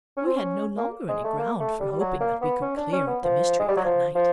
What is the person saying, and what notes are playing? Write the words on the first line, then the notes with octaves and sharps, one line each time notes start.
We had no longer any ground for hoping that we could clear up the mystery of that night.
C#4
C4
C#4
A#3
G#3
A3
A#3
A3
G3
G3
F#3
A#3
B3
C#4
D4
C#4
B3
F3
G#3
G3
F#3
F3
F3